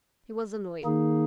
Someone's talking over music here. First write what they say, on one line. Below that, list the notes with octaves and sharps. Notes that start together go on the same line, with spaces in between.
He was annoyed.
D#3 A#3 D#4 G#4